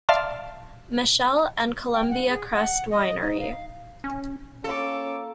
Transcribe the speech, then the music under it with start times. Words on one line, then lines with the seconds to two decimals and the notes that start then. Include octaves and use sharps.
Michelle, and Columbia Crest Winery.
0.09 D5 E5 F5 A5 C6 F6
1.94 G5
2.10 F#5
2.29 G#4
2.54 F#5
2.90 D#5
3.22 D#4
3.40 F5
4.04 C#4
4.64 A#3 C#4 F4 A4 C#5 D6